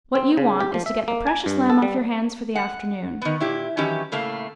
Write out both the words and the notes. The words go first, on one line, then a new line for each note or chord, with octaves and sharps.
What you want is to get the precious Lamb off your hands for the afternoon.
C4
C#3
G4
F3
E5
A#3
G#5
G2
A4
G3
F#5
D#3 B3
A#2 E4 G4
D#3 E3 F#3 C#4 G4
A2 C#3 A3 A#3 F5